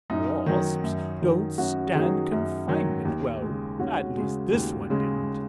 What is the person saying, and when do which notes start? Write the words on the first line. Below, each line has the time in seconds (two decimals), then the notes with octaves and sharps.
Wasps don't stand confinement well, at least this one didn't.
0.10 F#2 D#4
0.46 D#3 F#3
0.84 F#2
1.21 D#3 F#3
1.58 F#2 C#4 F#4
1.95 D#3 F#3 D#4 G#4
2.32 F#2
2.68 D#3 F#3
3.05 D#2
3.42 C#3 G#3
3.79 D#2 C#4 F#4
4.17 C#3 G#3
4.53 D#2
4.90 C#3 G#3